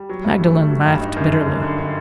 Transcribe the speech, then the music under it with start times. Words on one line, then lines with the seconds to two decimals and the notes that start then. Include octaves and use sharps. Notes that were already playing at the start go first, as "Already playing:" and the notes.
Magdalen laughed, bitterly.
Already playing: G3
0.09 F#3
0.25 G2
0.40 A3
0.55 A3
0.71 F#3
0.86 G2
1.01 D#4
1.16 F#2
1.32 D3
1.47 F#2
1.62 D3
1.78 D3